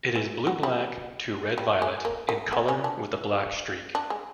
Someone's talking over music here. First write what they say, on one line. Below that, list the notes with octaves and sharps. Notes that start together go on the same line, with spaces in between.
It is blue-black to red-violet in color with a black streak.
E3
F#3
G3
G3
G#3
A#3
A#3
B3
C#4
D4
D4
G#3